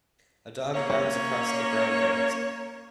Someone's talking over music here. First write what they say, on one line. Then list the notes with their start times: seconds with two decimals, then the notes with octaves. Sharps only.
A dog bounds across the brown grass.
0.74 A#3 C#4 C#5